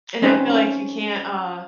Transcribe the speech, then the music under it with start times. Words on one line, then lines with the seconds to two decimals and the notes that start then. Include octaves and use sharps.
And I feel like you can't, uh
0.22 C4 C#4 D#4 B4 C5
0.50 C#4